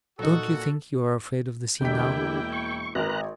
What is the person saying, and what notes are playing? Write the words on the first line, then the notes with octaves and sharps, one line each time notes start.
'Don't you think you are afraid of the sea, now?'
A#2 F#3 D#4 F#4 A4
E1 D3 A#3 E4 G4 G5 B6
C#6
G#1 A#4 B4 A#5 F#6